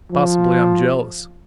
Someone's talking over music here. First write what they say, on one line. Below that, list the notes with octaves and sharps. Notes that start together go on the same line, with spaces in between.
Possibly I am jealous.
F3